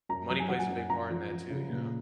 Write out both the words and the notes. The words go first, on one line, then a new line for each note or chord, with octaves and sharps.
money plays a big part in that too, you know?
F#2 A#5
F#3 A#5
G#5
F#3 F#5
G#5
F#2
F#2 A#5
F3
F3
C#3
A#2